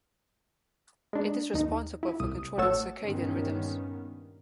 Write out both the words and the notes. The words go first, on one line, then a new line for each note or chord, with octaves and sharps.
It is responsible for controlling circadian rhythms.
G#3 D4
D#2 D#4
E4
C2 D#6
A1 A3 F#4 C#5 A5 E6
G2 A#2 D#3 B3 C#4